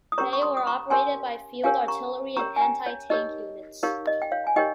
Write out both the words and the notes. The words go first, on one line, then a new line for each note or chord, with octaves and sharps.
They were operated by field artillery and anti-tank units.
D#6
C#4 G4 A#4 C#5 A#5 C#6
C#6
C6 D#6
D#6
A#5 C#6
C#4 G4 A#4 C#5 G#5 C6
C#4 G4 A#4 C#5 F5 G#5
A#5 C#6
C#4 G4 A#4 C#5 A#5 C#6
G#5
G5 A#5
C#5
D#4 G4 A#4 C#5 D#5
D#4 G4 A#4 C#5 F5
D#5
G5
C#5 F5
G#5
D#4 G4 A#4 C#5 D#5 G5